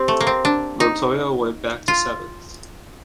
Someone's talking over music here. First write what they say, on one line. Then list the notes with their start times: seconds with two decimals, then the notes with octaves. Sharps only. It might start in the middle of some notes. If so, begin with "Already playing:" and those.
Montoya went back to seventh.
Already playing: C4 G4
0.08 A3
0.21 A#3
0.27 C4
0.45 D4
0.80 D#4
1.88 F4